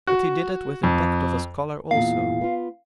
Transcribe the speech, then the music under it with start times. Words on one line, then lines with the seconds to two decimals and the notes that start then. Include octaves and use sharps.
But he did it with the tact of a scholar also.
0.07 F#4
0.83 F2
1.91 E2 A#2 F5
2.41 B3 F4